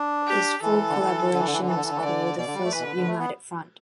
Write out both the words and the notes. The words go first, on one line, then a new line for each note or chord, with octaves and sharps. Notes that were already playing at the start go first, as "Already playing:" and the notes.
This full collaboration was called the First United Front.
Already playing: D4
G4
E3 A4
D3
E3
D3
E3
D3
E3
D3
E3 A4
D3
E3
D3
E3
D3 D5
B2 D5
D3
G3
A3
E3 B4
B2
D3
D3
A3
B3